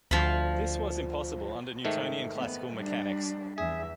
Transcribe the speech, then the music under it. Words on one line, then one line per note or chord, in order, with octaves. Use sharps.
This was impossible under Newtonian classical mechanics.
D2 F3 F5 B5
G#2 D#3 A3
B3
G3 D4
E2 G#4 E5